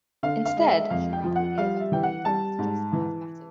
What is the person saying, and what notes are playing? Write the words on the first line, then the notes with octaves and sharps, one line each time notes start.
Instead, Schiraldi gave up the lead after just five batters.
D3 F5
F5
G#3
E5
F2 F5
G5
F3
F#5
G3 F5
E5
E3 G5
F#5
G3 A5
G#2
E3